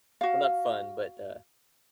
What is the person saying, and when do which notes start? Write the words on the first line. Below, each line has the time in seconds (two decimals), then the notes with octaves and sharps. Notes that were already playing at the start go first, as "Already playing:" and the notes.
Well, not fun, but, uh,
0.21 F#4 F5